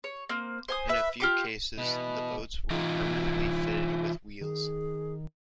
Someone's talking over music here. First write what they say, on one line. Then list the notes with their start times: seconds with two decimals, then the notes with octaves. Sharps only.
In a few cases the boats were permanently fitted with wheels.
0.04 C#5
0.29 A#3 C4
0.68 C5 G#5 D#6
0.89 B4 E5
1.20 F4 G4 D6
1.78 B2 E3 B4 D#5
2.70 E3 D#4 F4
4.41 D#3 G#4